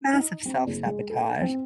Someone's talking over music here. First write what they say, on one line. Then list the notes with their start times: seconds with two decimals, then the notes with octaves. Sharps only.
massive self-sabotage.
0.13 D#4
0.46 C4
0.67 F#1
0.86 G#3
1.10 A4
1.41 C4